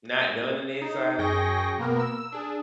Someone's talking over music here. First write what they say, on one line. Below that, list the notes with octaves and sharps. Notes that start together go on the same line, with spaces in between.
not done in the inside
D#4
F#2 G#4 G5 C#6 A#6
B2 A#3 B3 A#4
E6
D4 G#4